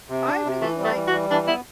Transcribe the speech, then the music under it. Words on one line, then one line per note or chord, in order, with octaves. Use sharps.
I really like,
C3
D4
C3
E3 A3
G3
A3
E3
F#4
G3
E3 D4
B3 E4